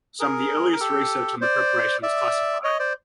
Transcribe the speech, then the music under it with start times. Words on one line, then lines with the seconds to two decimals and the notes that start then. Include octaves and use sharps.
Some of the earliest research on the preparation was classified.
0.19 G#4 A#4
0.72 A#4
0.80 G4 A4
1.41 C5 D5
2.03 D5 E5
2.63 C#5 D#5
2.79 C5 D5